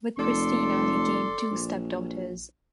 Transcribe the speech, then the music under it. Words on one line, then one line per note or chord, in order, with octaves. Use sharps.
With Christina, he gained two step-daughters.
F1 A4 D5 C6
A#1